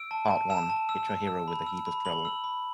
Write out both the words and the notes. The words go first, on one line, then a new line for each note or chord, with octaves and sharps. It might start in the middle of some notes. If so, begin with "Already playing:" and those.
Part one, hit your hero with a heap of trouble.
Already playing: E6 D7
A5
A5
E6 E7
A5
E6
E6
E6
B5
E6
B5
B5 F#7
E6
B5